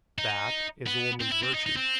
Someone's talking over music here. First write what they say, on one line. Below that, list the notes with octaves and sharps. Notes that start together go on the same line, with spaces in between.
That is a woman's virtue.
D#4
B3
C4
E4
C4
D#4
D#4
C4